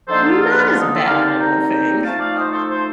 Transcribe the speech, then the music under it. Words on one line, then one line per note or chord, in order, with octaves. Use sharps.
Not as bad, I don't think, but
D3 F3 A#3 D#4 A4 C5
F4 A4
F4
F4
F4
D#4
F4 A4
D#3 G3 C4 D#4 D5 F5
F5 A5
G5 A#5
F3 A3 D#4 F5 A5
D5 F5
C5 D#5
A4 C5
A4 C5